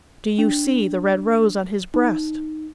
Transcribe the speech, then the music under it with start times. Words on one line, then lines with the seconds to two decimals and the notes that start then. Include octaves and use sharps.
Do you see the red rose on his breast?
0.39 D4
1.94 D#4